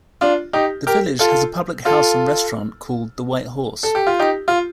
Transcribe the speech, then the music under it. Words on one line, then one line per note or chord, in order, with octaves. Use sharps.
The village has a public house and restaurant called The White Horse.
D4 F4
D#4 G4
G4 A#4
F4 A4
F4 A4
A4
G4
F4
D#4 G4
F4